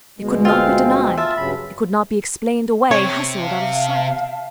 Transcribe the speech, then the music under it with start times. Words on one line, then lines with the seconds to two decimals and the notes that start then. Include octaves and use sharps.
It could not be denied; it could not be explained away, hustled out of sight.
0.19 D2 B2 G#3
0.45 C4 F4 F5
1.18 F4 E5 A5
1.37 G2 C#3 F#3 B5
2.91 C3 C#5
3.41 E5 F5 A5